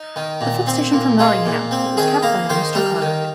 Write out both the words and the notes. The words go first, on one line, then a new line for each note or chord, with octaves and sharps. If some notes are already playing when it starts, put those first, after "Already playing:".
The fifth station from Nottingham, it was kept by a Mr. Carter.
Already playing: D#4
D#3
A#2
C4
A#2
G#3 F4
A#2
C4
D#3 G#4
A#3 A#4
D#3 C5
G3 A#4
D#3